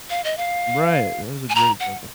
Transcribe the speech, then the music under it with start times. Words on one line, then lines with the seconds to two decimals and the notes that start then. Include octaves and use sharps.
Right, that was a great example.
0.10 F5
0.24 D#5
0.37 F5
1.50 G#5
1.55 A#5
1.80 F#5